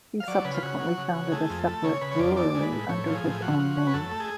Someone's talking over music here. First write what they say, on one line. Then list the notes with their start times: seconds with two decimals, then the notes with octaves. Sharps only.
He subsequently founded a separate brewery under his own name.
0.20 F5
0.28 F#3 D5
0.45 C#3 B4
0.54 F4
0.62 C#3 F#4
0.80 F#3
0.97 C#3
1.15 C#3
1.32 A3 G#4
1.50 F2
1.59 A4
1.67 A3
1.84 C#3 C#5
2.01 C#3 B4
2.11 C#5
2.19 F2 D5
2.36 D4 D5
2.55 G#3
2.62 B4
2.72 A2
2.89 A2 C#5
3.07 F3
3.15 G#4
3.24 A2
3.41 F3 F#4
3.59 F3
3.76 C#4
3.87 B4
3.94 F#2 A4
4.11 A3
4.20 G#4